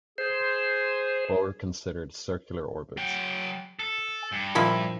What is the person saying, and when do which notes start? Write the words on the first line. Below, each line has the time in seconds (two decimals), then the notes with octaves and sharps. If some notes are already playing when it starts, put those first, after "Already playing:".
Bohr considered circular orbits.
0.18 G#4 C5
2.97 F#3 G5
3.79 A4
4.32 G2
4.55 A#2 F3 E4